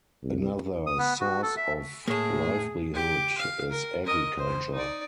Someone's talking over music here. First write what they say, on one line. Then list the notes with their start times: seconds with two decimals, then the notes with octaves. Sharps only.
Another source of livelihood is agriculture.
0.23 C2
0.87 D#6
0.98 B3
1.21 F#4
1.43 A4
1.57 E5
2.08 A2 A#3 G#4 C#5 A5
2.94 G4 D6
3.38 F5
3.70 A#4
4.05 A#4 D#5
4.37 C5
4.74 D#4 D5